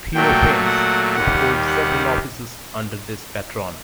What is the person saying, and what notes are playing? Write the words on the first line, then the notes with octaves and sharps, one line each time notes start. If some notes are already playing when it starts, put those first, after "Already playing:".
Theophanes would hold several offices under this patron.
A#2 F#3 A3 G5
F#5
D#2 D#3 G3 F#5
F#5